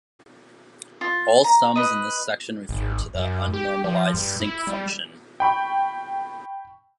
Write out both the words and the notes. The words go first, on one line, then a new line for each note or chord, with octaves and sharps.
All sums in this section refer to the unnormalized sinc function.
F4
A#5
B4 D#5
G#1
F#2
G4
F3
G2
E4
G3
G5 B5 C#6